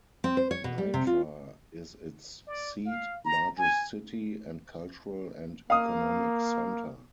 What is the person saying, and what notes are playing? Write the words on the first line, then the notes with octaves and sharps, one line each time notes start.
Nitra is its seat, largest city, and cultural and economic center.
C4
C5
C#5
B2
G3
C3
F4
D5
F5
A#5
G#5
A#3 F5 D#6